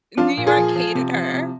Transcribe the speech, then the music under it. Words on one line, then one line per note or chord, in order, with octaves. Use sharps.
New York hated her.
F3 D4 F4
A#2
F4 G#4
F3
F3
C3
F3
C3